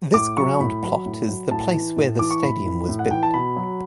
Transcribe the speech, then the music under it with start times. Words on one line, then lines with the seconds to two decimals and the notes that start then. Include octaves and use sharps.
This groundplot is the place where the stadium was built.
0.14 A2 D6
0.36 F#3 C#6
0.60 A2 B5
0.83 F#3
1.06 A2
1.29 F#3
1.51 A2 A5
1.74 E3
1.96 A2
2.19 E3 D6
2.31 C#6
2.42 A2 B5
2.66 E3
2.89 A2
2.99 F#5
3.11 E3 G5
3.23 A5
3.34 B2 B5
3.56 F#3